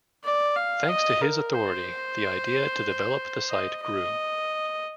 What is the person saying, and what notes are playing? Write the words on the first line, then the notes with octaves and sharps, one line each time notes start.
Thanks to his authority the idea to develop the site grew.
D5
F5
D#5
A#4
C5
D#5
D#5